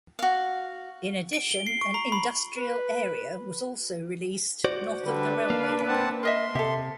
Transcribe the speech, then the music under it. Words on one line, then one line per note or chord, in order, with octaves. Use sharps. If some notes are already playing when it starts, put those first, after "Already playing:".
In addition, an industrial area was also released north of the railway line.
F#4 F5
D7
G7
C7
C#6
A#5
B5
B4
F#4 C5 D5
D3 G3 D4 B4
A#3 F5
C4 F#5 A5
A#4 D#5 E5 C6
C3 A4 E5